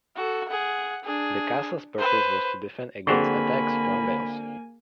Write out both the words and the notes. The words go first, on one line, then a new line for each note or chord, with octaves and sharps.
The castle's purpose was to defend against attacks from Wales.
F#4 A4
G#4 F#5
D4 G#4
B4 C5
D3 A#3 C4 F#4 G#4 G#5 B5 C#6